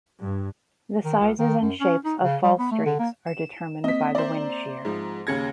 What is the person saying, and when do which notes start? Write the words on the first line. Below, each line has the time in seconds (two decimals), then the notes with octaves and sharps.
The sizes and shapes of fall streaks are determined by the wind shear.
0.20 G2
1.05 D#3
1.20 C#2
1.38 D#3
1.61 F#2
1.81 C#4
2.05 D#4
2.22 C#3
2.43 G3
2.59 B3
2.71 A3
2.86 D3
2.99 A#3
3.27 E7
3.84 A#3 C4 D#5 B6
4.15 C5 D5 E5 A#5
4.85 G#2 F3
5.27 D#2 C#3 G#6 A#6 C#7